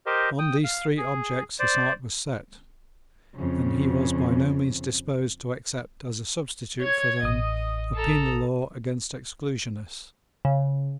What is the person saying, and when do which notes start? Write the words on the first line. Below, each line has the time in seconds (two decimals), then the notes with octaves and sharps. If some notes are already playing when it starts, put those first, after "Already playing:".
On these three objects his heart was set; and he was by no means disposed to accept as a substitute for them a penal law against Exclusionists.
0.06 G4 A#4 C5 D#5
0.39 G5 D#6
0.64 F5
0.98 G#4
1.59 C5 D5
3.36 F2 C#3
6.81 C#5 G#6
7.23 A1 D#5 D#6
7.95 A4 A#5
10.45 C#3